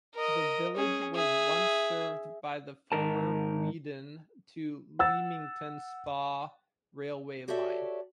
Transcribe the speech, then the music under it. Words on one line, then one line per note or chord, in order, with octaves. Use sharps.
The village was once served by the former Weedon to Leamington Spa railway line.
A#4 D#5
C#4 G#4
G#4 E5
G#2 D#3 A#4 A5
F#5 E6 A6
F#4 G4 A4 C#5 D5 E5